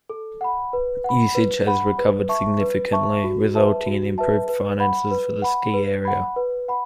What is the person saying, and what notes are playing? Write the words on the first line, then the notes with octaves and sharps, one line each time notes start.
Usage has recovered significantly resulting in improved finances for the ski area.
A4
F#5 B5
B4
F#5 B5
B4
F#5 B5
B4
E5 A5 C#6
B4
E5 A5 C#6
F#4
B4 E5 A5
F#4
B4 E5 A5
B4
F#5 B5
B4
F#5 B5
B4
F#5 B5
B4
F#5 B5